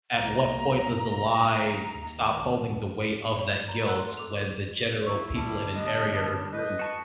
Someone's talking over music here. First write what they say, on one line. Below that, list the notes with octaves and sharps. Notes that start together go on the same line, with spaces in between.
at what point does the lie stop holding the weight of that guilt when the general people in an area or group,
C2 A#3 A#5
D#2
D5 B5
A#5
A4 A#4 F#5 A#5 E6 F#6
C6 F#6
A4 D6 F7
E4 C#6
D3 G3 A5
B3 D#5
B4 D#5
F#4 A5 C#6